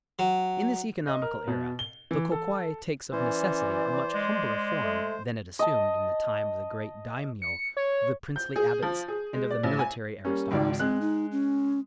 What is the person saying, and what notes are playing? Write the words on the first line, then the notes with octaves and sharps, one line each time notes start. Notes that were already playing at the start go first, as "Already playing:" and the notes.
In this economical era, the Ko-kwai takes of necessity a much humbler form than it assumed in the time of the great daimyo, of the princely abbots, and of the military aristocracy.
F#3
D#5
A#4
B2
G7
E3
A4
E3 C#4 C5 D5
G#3
A3
D#5 A5
C#7
C#5
G6
G#4
F3
G#4
G#3
D5
A1
G#5
G3 A#3 C#4
G#1 C#2 D#4 D5
G#3 C4 F#6
D#4
C#4